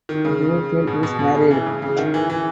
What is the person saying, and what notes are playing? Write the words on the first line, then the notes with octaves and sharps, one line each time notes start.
Duffield is married.
D#3
C#3
B2
B2
B2
C#3
E3
C#3
C#3
D#3
E3
E3